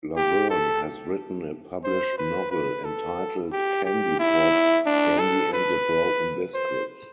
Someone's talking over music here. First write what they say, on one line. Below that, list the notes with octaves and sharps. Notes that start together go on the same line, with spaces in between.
Laverne has written a published novel entitled "Candypop: Candy and the Broken Biscuits".
G4
A4
C5
B4
B4
A4
G4
G4
E4
D4
A4
B4
C5